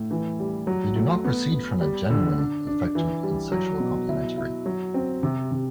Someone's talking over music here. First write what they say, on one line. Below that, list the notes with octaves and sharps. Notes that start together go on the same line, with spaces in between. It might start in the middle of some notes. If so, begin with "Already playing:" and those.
They do not proceed from a genuine effective and sexual complementary.
Already playing: A2
E3
G3
F#3
A3
B3
B3
G3
D3
D4
D4
E3
G3
F#3
B2
E4
E4
F#3
C4
C3
C3